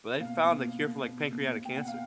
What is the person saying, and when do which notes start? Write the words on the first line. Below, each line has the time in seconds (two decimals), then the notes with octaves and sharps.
But, they found a cure for, like, pancreatic cancer.
0.20 B2 F5
0.41 B2
0.64 B2
0.87 B2
1.10 B2
1.32 B2
1.55 B2
1.65 G5
1.76 B2 F#5
1.87 F5